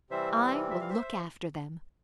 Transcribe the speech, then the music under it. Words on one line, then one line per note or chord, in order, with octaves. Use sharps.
"I will look after them."
C3 E3 G3 C4 C5 E5
E5
F5
C5 E5